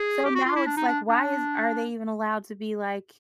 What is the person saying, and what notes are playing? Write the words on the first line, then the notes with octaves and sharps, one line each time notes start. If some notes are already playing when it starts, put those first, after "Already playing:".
So now it's like, why is are they even allowed to be, like,
Already playing: G#4
G4
F#4
F4
E4
D4
D#4
D4
D4